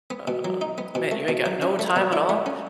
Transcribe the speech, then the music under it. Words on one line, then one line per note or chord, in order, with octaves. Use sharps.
uh, man, you ain't got no time at all?
B3
B2
F#3
D#4
B3
B2
A3
B2
F#3
C#4
A3
B2
E4
A3
C#4